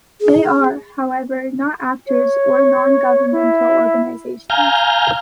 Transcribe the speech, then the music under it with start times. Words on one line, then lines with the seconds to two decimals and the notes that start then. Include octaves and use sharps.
They are, however, not actors or non-governmental organizations.
0.21 G#4
2.07 C#5
3.32 E4
4.50 F5 G#5 A#5 F6 G6